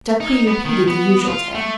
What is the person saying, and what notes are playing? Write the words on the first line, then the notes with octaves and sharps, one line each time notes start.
Jacques repeated the usual tale.
D#4
B3
D#3
B3
F4
A3